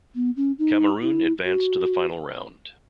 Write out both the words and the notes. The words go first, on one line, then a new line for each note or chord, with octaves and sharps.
Cameroon advanced to the Final Round.
B3
C#4
D#4
E4
F#4